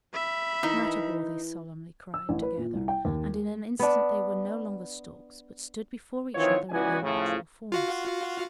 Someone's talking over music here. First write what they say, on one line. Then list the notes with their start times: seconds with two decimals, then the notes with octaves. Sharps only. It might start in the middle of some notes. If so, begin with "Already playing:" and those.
"Matabor!" they solemnly cried, together; and in an instant they were no longer storks, but stood before each other in their natural forms.
0.14 E5 B5
0.63 E3 D#4 E4 A#4
2.14 E6
2.29 A1
2.42 B4
2.57 A#2
2.74 C2
2.88 G5
3.05 D#2
3.34 G#3
3.79 B3 D4
6.35 D#3 E3 F#3 C4 F4 C#5
6.70 C#2 E3 B3 F#4 D5 G#5
7.00 A2 C#3 F3
7.72 F4 F#4 F5